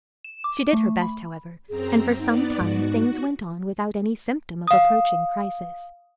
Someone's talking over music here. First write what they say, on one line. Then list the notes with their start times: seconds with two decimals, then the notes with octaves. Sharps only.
She did her best, however; and for some time things went on without any symptom of approaching crisis.
0.24 E7
0.44 D6
0.73 A3
1.02 B5
1.69 F#2 C4 G#4 A#5
2.19 B3 D#4 D5
2.61 G#2 F#4
4.67 F5 D#6